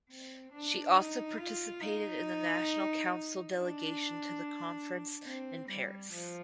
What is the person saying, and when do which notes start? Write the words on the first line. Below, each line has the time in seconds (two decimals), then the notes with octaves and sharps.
She also participated in the National Council delegation to the conference in Paris.
0.10 C4
0.53 D4
0.96 D#4
1.38 F4
1.81 D#4
3.54 D4
5.26 C4
5.69 G3
6.12 F3